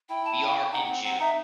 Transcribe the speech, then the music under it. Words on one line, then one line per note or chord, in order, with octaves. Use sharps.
We are in June.
E4 G5
A5
G5
D#4 F#5
C4
C4 F#5
D#4 E5